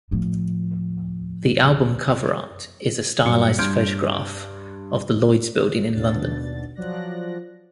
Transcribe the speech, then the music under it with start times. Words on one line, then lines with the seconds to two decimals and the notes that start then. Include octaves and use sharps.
The album cover art is a stylised photograph of the Lloyd's Building in London.
0.11 A2 F3
3.25 G1 A#2 F#3 A#3 C#7
3.59 G2 C6 F6 G6 G#6 D7
5.94 D#2 B2 D4 A6
6.75 F3 F#3 D5 F#6 A#6